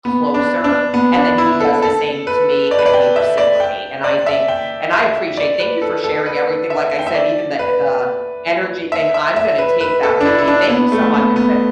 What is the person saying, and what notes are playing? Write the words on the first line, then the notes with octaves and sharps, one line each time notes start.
closer, and then, he does the same to me and we reciprocate, and I think and, I appreciate thank you for sharing everything, like I said, even the the energy thing, I'm gonna take that with me, thank you so much, it's been
B3
D4
D4
B3
D4
E4
A4
A4
B4
D5
B4
D5
G5
E5
D5
G5
D5
E5
G5
E5
D5
B4
A4
A4
B4
E5
G5
E5
D5
B4
E5
E5
E5
B4
B4
A4
D4
E4
E4
D4
B3
A3
B3
B3